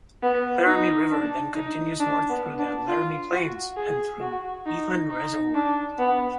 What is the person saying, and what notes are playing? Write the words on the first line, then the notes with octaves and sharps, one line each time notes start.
The Laramie River then continues north through the Laramie Plains and through Wheatland Reservoir.
B3
D#4
D4
D#4
D4
B3
D4
F4
F#4
G#4
F#4
D#4
D#4
D4
B3